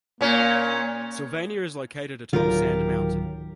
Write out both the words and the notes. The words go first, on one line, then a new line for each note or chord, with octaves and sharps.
Sylvania is located atop Sand Mountain.
A#2 A#3 C#4
D1 D#3 F#3 F4 G4 A#4